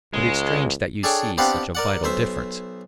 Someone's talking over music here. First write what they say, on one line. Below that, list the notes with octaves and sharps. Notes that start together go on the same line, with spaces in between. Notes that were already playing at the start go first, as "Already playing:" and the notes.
"But it's strange that you see such a vital difference."
C#2 G#3
D4 G#4 A4 C#5 G5 C#6
B3 C4 D4 G4 F5 F#5
A#4 D5 F#5
B1 C5 E5